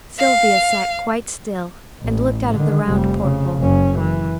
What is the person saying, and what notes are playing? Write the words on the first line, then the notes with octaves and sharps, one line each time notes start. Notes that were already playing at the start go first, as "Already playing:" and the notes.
Sylvia sat quite still and looked out of the round port-hole.
F5
A1
D3 D#3
F1 G3
C#3
F#1 C#4
E3